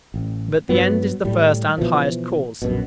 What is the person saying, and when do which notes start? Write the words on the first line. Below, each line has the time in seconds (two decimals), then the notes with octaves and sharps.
But the end is the first and highest cause.
0.14 A1
0.69 G2 F#3 B3
1.25 A2 G3
1.78 B2 E3 F3
2.62 A#1 F#2 B2